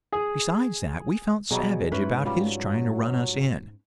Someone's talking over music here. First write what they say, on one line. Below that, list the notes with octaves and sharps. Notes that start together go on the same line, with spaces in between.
Besides that, we felt savage about his trying to run us in.
G#4
B2 F#3 G3 G#4 D#5
G#2 C#4 E4 B4
F#3 G3 F4